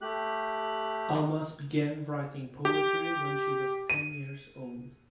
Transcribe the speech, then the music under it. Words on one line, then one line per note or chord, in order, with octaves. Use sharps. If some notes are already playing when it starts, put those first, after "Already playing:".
Amas began writing poetry when she was ten years old.
A3 G4 F#6
G4
D#7